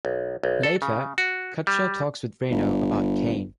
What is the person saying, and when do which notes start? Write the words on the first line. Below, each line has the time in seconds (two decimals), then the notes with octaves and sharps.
Later, Cutshaw talks with Reno about Kane.
0.05 B1
0.43 B1
0.63 A4
0.82 C#3
1.18 F#4
1.67 G3
2.51 G1